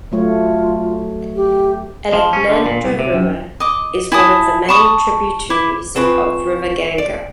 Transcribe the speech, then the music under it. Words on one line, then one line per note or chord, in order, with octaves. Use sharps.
Alaknanda river is one of the main tributaries of river Ganga.
F#3 A3 F4 C#5
G4
F3
C#4
D3
A#2
C2
C3
F#2
D#5 D6
E4 G#5 A5 D#6
A5 B5 C#6 D#6
E4 D6
C4 F4 G#4 B4 C#6 E7
D5